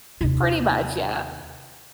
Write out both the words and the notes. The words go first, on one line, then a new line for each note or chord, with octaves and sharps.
Pretty much, yeah.
D#2 C3